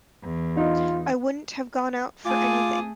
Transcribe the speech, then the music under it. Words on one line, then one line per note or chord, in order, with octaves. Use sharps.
I wouldn't have gone out for anything.
E2
D#4 F4
A3 F4 G#4 D6